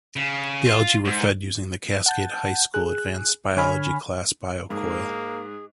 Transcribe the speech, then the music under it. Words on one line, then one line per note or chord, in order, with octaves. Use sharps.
The algae were fed using the Cascade High School Advanced Biology Class Biocoil.
C#3
F4
G#2
F#5 A5 G6
G#4 F#6
D3 C#5 G#5 B5 F6
G#2 A#3 G#4